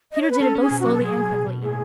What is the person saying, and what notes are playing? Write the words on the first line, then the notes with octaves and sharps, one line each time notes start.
Peter did it both slowly and quickly.
D#5
C#5
B4
C#4 A4
C#4
G#4
B2
F#4
F#3
A4
F#3 G#4
B2
B2
B2
A2 G#4